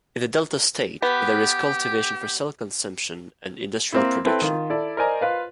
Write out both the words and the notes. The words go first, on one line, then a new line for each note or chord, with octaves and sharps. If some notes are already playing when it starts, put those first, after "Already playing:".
In the Delta State, there is cultivation for self-consumption and industrial production.
B3 G4
A#3 C4 E4
C4 E4 A4 B4 G5
D#3 F4
E4 A4 D5
A#4 C5 D5 D#5 G#5 A#5
F4 B4 F5